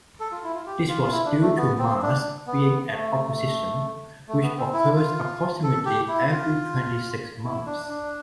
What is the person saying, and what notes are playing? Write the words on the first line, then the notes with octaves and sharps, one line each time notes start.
This was due to Mars being at opposition, which occurs approximately every twenty-six months.
A4
F4
E4
F4
G4
F4
F4
E4
D4
A3
B3
C4
D4
B3
A3
A3
B3
C4
E4
F4
A4
G4
E4
F4
E4
D4
D4